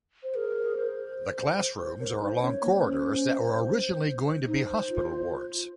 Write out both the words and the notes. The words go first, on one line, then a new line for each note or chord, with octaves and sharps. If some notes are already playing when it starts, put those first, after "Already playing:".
The classrooms are along corridors that were originally going to be hospital wards.
C5
G#4 A#4
C5
A#4 C#5
C5
A#4
D#4 C5
C#4 C#5
A#3
C#4 C5
D#4 C5
F4